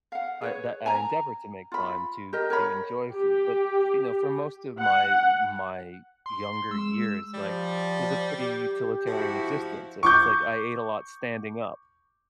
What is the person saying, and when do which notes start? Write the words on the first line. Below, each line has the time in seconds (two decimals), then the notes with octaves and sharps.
I that I endeavor to make time to to enjoy food, but, you know, for most of my my younger years, like, was a pretty utilitarian existence, it was like, I ate a lot standing up,
0.12 F5 F#5
0.41 G#4 B4 C#5
0.86 G#5 A#5
1.72 F4 B5
2.33 G4 A#4 D#5
2.50 A#4 C#5 B5
3.12 G4
4.79 F#5
6.26 C6
6.71 G#3 E6
7.34 F3 G3
8.38 G4
9.07 F3 E4 F#4
10.03 C#6 D6 G6